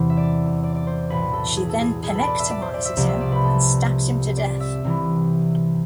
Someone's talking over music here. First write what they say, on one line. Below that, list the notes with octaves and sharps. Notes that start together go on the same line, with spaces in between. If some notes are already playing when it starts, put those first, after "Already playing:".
She then penectomises him and stabs him to death.
Already playing: E2 C3 E3 C5
E5
D5
D5
D5
C5
B1 A2 E3 B4
A4
G#4
A4
G#4
G#4
A4
B4
D5
E5
D5
C5
D5
E5
C2 C3 F3 D5
E5
D5
B4
A4
D5
E5
C2 C3 E3